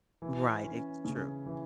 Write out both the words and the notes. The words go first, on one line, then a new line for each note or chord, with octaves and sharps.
Right, it's true.
E3
C#4
C#3
E3